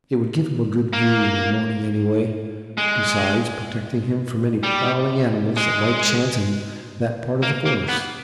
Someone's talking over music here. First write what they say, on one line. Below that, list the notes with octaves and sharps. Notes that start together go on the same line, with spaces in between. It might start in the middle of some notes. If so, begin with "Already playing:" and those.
It would give him a good view in the morning anyway, besides protecting him from any prowling animals that might chance in that part of the forest.
A#3
G#3
G3
G#3
A#3
A#3
B3